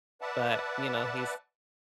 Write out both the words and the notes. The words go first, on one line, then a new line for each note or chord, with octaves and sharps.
But you know, he's
B4 D5 E5 F#5 A5